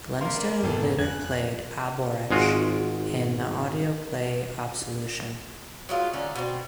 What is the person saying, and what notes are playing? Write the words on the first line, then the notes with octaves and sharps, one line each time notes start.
Glenister later played Aboresh in the audio play "Absolution".
A#3 D5 F5 B5 C6
F1 G#2 E3 B3 A4
F2 C#3 F#6 G#6
G#1 G#3 F4 F#4
F#3 G#3 F4
D3 C#4 D#4
B2 C4